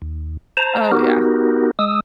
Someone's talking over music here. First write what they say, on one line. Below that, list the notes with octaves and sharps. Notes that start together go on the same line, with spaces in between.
Oh, yeah.
D#2
C5 A5 A#5
B3 D#4 F#4 G4 A#4
G#3 D#6 E6